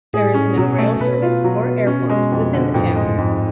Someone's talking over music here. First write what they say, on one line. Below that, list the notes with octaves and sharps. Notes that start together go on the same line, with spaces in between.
There is no rail service or airports within the town.
A2 G#4
C#4
B2 F#3
A3
B2 B4
F4
F#3
B3
C#4
G#3
F2
D3
F2 A2
G#3
A2
F2 G#2